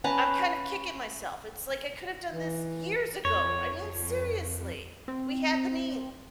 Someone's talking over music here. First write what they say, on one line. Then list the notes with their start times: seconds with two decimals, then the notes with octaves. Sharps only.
I'm kind of kicking myself, it's like I could have done this years ago! I mean, seriously! We had the means,
0.04 C#4 B4 A5 A#5
2.31 E3
3.25 F2 C#5
5.08 C4